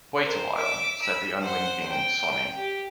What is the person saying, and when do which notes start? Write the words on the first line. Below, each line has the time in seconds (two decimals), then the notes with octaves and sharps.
"Wait a while," said the unwinking Sonny.
0.21 A#4 C5
0.56 E5 D6
1.01 B5 E6
1.40 C5 F#5
1.89 G5
2.57 G4